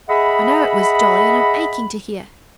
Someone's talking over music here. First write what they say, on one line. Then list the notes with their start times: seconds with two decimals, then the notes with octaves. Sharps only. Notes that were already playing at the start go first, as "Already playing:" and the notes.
I know it was jolly, and I'm aching to hear.'
0.10 G#4 D#5 E5 F#5 B5